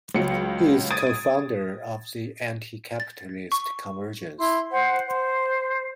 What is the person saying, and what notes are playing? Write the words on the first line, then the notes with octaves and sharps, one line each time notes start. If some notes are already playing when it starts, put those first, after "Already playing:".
He is co-founder of the Anti-Capitalist Convergence.
C#2 F#3 C#7
D#6 G#6 A6 D7 D#7
A6
C#6
E4 C6
C5 F#5
C5